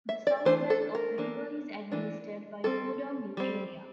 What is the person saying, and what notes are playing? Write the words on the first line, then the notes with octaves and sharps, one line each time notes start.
The south bank of the river is administered by Pudong New Area.
E5
D5
E3 A3 D4 C5
A4
A#4
E3 A#3 D4
E3 A#3 D4
G3 C4 A4
G3 C4